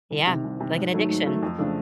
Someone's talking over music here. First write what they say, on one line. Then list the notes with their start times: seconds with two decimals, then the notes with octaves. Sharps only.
Yeah. Like an addiction.
0.11 C2
0.27 C3 D#3
0.44 C2
0.60 C3 D#3
0.76 G#2
0.94 D#3 F#3 A3
1.09 G#2
1.26 D#3 F#3 A3
1.43 F2
1.58 C#3 F3 A3 D4